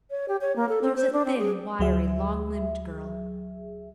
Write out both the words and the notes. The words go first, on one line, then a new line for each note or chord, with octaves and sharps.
She was a thin, wiry, long-limbed girl.
C#5
G4
C#5
A#3
A4
C4
C5
D4
C4
G#4
D2 F#3 G#4 E5